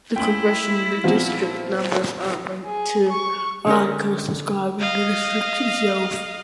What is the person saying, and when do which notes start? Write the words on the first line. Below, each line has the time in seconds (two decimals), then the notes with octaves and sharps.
The congressional district numbers are linked to articles describing the district itself.
0.16 A3 C#4 E4 F4 G5 F#7
1.04 A#2 F3 B3 C4 F4
2.66 G#4
3.12 C#6
3.67 D3 C#4 G4 A#4
4.79 D#5 F5